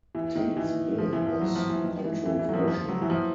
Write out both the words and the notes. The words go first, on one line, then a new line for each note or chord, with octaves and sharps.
Tait's bill was controversial.
E3
D#3
E3
F3
E3
F3
F#3
F3
E3
D#3
E3
E3
E3
F#3
F3
E3
F3
F#3
E3
F3